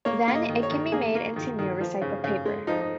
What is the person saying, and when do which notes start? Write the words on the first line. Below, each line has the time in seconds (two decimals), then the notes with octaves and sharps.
Then it can be made into new recycled paper.
0.05 A#3 C#5
0.28 A#3
0.35 D#5
0.49 D#3
0.63 C#5
0.70 D#3
0.92 A#3 G#4
1.15 A#3
1.36 D#3
1.59 D#3
1.81 F3
2.02 C#3
2.24 C#3
2.46 G#3
2.67 F3 D#4
2.81 D#4